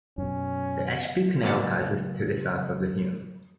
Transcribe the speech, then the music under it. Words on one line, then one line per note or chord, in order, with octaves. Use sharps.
The Ashby Canal passes to the south of the hill.
F#2 B2 C#4
C#2 F#3 A#3 D5 F#5